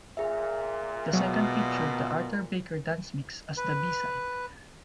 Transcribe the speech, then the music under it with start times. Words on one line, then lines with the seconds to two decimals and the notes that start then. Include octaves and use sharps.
The second featured the Arthur Baker Dance Mix as the B-side.
0.17 A#2 G#4 E5
1.13 B2 F#3
3.57 B4